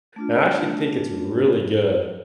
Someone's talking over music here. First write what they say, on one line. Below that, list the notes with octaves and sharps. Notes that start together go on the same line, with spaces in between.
and I actually think it's really good,
A3 D4 F4